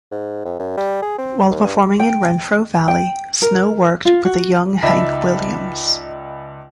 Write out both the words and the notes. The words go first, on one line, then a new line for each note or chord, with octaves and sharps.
While performing in Renfro Valley, Snow worked with a young Hank Williams.
G#2
F2
F#2
G3
G#4
C4
D#2
G2
G5
G5
A#4
F4
F#4
C#2 D#4 D5 E5 A5 B5